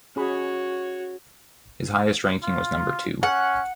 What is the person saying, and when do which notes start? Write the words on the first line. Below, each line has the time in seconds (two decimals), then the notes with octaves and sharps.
His highest ranking was number two.
0.16 C#4 F#4 G#4 C#5 B5
2.43 F4
3.23 C#4 F#5